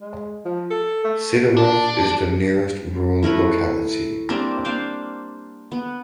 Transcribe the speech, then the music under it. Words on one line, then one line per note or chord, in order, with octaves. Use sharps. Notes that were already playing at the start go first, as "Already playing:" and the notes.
Sidorov is the nearest rural locality.
G#3
F3
A4
A3
D4
A3 E4 A#4 B4
G3 A#3 C4 D4
D4 C5 F5 G5
B3